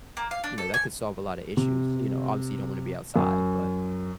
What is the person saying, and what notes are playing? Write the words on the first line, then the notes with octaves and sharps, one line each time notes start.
you know, that could solve a lot of issues. You know, obviously you don't wanna be outside, but,
A#3
F5
D4
A4
G#5
C3
F#2